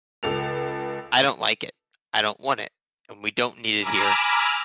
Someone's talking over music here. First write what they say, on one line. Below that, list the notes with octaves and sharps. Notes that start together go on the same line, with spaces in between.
I don't like it, I don't want it, and we don't need it here.
C#2 A4 F7
G#5 A#5 B5 D6 E6 F6